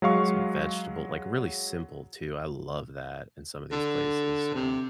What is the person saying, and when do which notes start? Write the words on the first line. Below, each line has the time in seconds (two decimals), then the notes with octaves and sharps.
some vegetable like, really simple too, I love that in some of these places, so,
0.02 F#3 G#3 F5 C#6
3.72 D3
4.55 C3